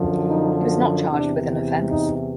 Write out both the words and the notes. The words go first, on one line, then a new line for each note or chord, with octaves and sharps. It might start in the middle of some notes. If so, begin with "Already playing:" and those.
He was not charged with an offense.
Already playing: F#2 D3 F3
D#4
E2 C3 E3 D4
D#4